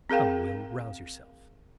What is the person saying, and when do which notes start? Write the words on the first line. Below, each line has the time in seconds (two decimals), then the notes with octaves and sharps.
Come, Will, rouse yourself.
0.10 C4 G#4 A#4 F5 G5